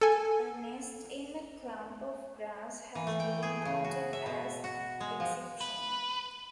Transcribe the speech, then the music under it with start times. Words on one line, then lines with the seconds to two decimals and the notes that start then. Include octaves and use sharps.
A nest in a clump of grass has been noted as exceptional.
0.01 A4 G#5
2.95 E3
3.07 A3
3.20 G5
3.42 G#4
3.65 C#3
3.84 F#4
4.13 E5
4.26 B2
4.64 F#4
5.00 G#3
5.20 F3
5.61 B4